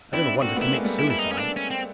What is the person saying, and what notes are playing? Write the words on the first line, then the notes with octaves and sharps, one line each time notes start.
"I do not want to commit suicide."
C4 D4 E4
A#3 C4 F#4
A3 B3
E4
G#3 A#3
G3 A3
E4
E4
D#4
C#4
D4
C#4
C4